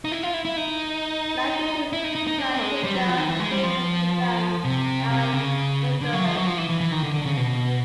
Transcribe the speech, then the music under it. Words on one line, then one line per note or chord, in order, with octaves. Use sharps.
Mackie sees Plantinga's free-will defense as incoherent.
D#4
E4
F4
E4
E4
D#4
E4
D#4
D#4
D#4
D4
G#3
G3
F#3
F3
D#3
E3
G#3
G3
F3
C3
C3
C#3
D3
F#3
F3
F#3
F3
E3
E3
E3
D#3
D3
D3
C#3
B2